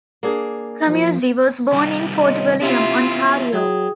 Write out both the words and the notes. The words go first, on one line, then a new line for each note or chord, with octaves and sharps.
Comuzzi was born in Fort William, Ontario.
A#3 D4 G#4
F3
C3 D#3 G3
C4 C#5 D#5
C3 B3 C#4 E4 F4 G4 E5 C6
F#3 G#4 G5 D#6